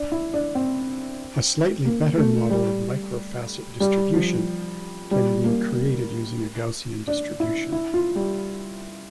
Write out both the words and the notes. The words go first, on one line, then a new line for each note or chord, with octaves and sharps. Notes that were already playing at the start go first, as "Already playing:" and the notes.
A slightly better model of microfacet distribution can be created using a Gaussian distribution.
Already playing: D4
E4
D4
C4
A#3
A3
G3
G3
F3
G3
A#3
D4
E4
E4
F4
G3